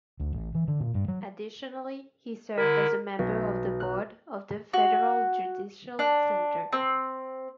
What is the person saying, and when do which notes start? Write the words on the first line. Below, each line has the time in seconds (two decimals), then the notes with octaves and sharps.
Additionally he served as a member of the Board of the Federal Judicial Center.
0.20 D2
0.33 A1
0.55 E3
0.68 D3
0.80 A#2
0.94 G2
1.08 F#3
2.58 D3 E4 A#4
3.19 B1
3.80 F#6
4.73 F#4
5.99 D4
6.73 C4